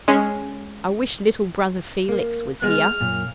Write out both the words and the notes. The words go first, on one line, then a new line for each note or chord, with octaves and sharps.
I wish little brother Felix was here!'
G#3 C#4
A#3
G#3 B3 F6
F#2 A#2